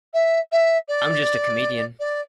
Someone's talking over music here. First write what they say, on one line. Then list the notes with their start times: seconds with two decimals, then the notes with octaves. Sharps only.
I'm just a comedian.
0.14 E5
0.52 E5
0.88 D5
2.00 D5